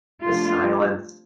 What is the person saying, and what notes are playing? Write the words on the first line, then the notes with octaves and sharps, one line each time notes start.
The silence.
C3 F3 A3 D4 F4